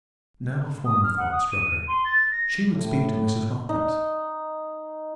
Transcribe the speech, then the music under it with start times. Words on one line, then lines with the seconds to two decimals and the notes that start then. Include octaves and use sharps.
Now a former thought struck her--she would speak to Mrs. Hawkins.
0.86 D#6
1.04 F6
1.17 F#5
1.32 D#6
1.51 D#7
1.88 C6
2.05 A6
2.31 A#6
2.75 A2
3.69 D#4